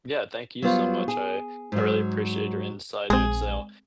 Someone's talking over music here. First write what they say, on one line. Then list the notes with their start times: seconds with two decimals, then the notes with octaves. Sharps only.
Yeah, thank you so much. I I really appreciate your insight and so
0.62 F#3 G3 B3 F4 C5
1.08 G#4
1.72 G#2 F#3
3.10 A#1 G#3 C4 G#4